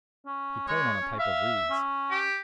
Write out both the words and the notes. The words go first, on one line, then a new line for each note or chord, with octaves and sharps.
He played on a pipe of reeds.
C#4
G#3 C#5
C#4
E5 F5
C#4
G4